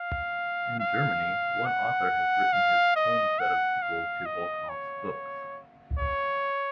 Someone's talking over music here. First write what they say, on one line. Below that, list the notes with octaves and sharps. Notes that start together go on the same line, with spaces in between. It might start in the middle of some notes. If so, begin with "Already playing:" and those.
In Germany, one author has written his own set of sequels to Volkov's books.
Already playing: F5
F5
F#5
F5
D#5
F#5
F5
D#5
C#5
C#5